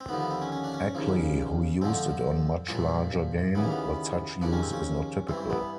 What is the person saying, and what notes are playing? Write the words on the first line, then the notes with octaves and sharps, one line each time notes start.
Ackley who used it on much larger game, but such use is not typical.
C4
D#2 D3 F3 B3
B3
C4
C#4
C#4
D4
C#4
D#2 C#3 F3
F2 D3 F3 C4
C2 A#2 F3
D#2 C#3 E3 B3
A#3
B3
D#2 C#3 F3 D4
C#4
C4
C#4
G2 E3 C4
B3